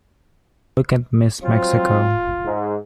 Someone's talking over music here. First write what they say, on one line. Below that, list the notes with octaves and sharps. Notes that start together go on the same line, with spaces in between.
Look at Miss Mexico.
F#3 C4 F4 C5
G#2